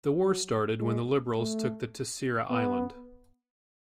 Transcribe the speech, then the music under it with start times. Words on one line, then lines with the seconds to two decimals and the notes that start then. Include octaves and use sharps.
The War started when the Liberals took the Terceira island.
0.23 F#3
0.80 G#3
1.37 A3
2.50 B3